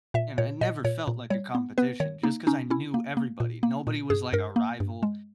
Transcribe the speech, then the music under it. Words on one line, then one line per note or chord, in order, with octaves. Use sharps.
and it never felt like a competition just 'cause I knew everybody. Nobody was, like, a rival,
A#2 E5
A#2 C#5
A#2 D#5
A#2 C#5
A#2
G3 C#5
B3
B3 B4
D#3 C#5
A#3 D#4
C#4 D#4
C#4 E4
A#3
A#3
A#2
A#3
A#2
G2 G#4
G2 A#4
A#3
G2
G#3